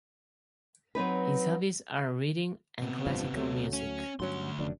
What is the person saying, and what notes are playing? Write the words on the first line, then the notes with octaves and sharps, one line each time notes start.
His hobbies are reading and classical music.
F#3 C4 D#4 B4
C3 B3
F1 G2 F3
D2 F#3 A3
C#4
D2 G2 F#3 C#4 C6
F1 F#2 D4